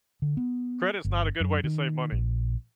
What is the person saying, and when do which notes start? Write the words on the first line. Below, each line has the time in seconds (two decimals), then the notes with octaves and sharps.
Credit is not a good way to save money.
0.22 D3
0.37 B3
1.05 G1
1.40 F#2
1.64 D#3
2.12 A#1